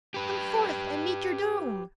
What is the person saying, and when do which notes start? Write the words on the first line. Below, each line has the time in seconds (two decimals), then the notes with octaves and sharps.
"Come forth and meet your doom!"
0.14 G4 B4